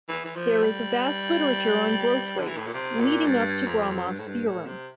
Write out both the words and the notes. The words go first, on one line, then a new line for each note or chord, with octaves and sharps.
There is a vast literature on growth rates, leading up to Gromov's theorem.
E3
E3
F3
G3
D3
E3
A2
A#2
C3
A#2
G2
F2
G2
A2
G2
A2
C3